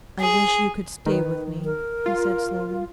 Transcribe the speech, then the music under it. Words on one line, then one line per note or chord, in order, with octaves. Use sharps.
'I wish you could stay with me,' he said slowly.
G#4
D#3 B4
A#4
F4